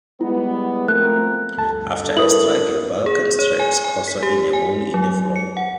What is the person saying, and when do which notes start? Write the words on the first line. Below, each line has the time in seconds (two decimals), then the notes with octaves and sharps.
After a struggle, Balkan traps Corso in a hole in the floor.
0.21 G3 G#3 B3 E4
0.88 F3 A3 C4 A#4 F#6
1.58 D2 G2 A4 A5
2.17 E4 A#4 B4 C#5 D#6 F#7
3.06 G#4
3.39 C#5
3.60 G#5
3.84 G#5
4.08 B6
4.23 G4
4.53 G#5
4.94 F#3
5.36 C#7
5.57 F#5